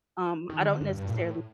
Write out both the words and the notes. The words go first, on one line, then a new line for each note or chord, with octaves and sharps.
um, I don't necessarily
D#3
D#3
D3
G2
G2
A#2
A2